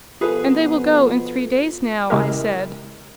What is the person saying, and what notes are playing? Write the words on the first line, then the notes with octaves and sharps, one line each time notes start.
"And they will go in three days now?" I said.
B2 F3 B3 F4 G#4 A4 B4 D#6
C#3 G#3 E4 G4 A#4